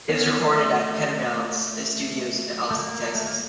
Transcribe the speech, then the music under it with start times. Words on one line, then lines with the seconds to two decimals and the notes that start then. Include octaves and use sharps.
It was recorded at Pedernales Studios in Austin, Texas.
0.09 B3 C#4
0.40 A3
2.71 A3
2.78 A#3
3.15 A3
3.27 A#3